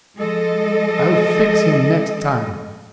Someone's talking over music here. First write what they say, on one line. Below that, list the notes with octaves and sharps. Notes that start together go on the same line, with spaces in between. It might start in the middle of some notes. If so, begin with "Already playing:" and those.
I'll fix him next time.
F3 G#3 A4 D#5